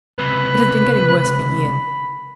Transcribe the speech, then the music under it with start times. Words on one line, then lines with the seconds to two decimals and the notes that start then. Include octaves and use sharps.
It has been getting worse for years.
0.19 C#2 C3 B4 B5